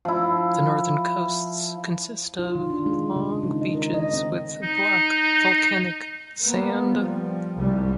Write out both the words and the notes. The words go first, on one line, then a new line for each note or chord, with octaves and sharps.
The northern coasts consist of long beaches with black volcanic sand.
F3 E4
F4
D#3
D4
G#3
C#3
D#3
D#5
A#4
D#5
C4
D#4
A#3 B3
F3 G3
C2 G#2 G3